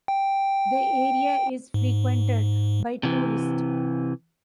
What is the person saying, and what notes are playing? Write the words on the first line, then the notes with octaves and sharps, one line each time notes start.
The area is frequented by tourists.
G5
G#2
C3 E3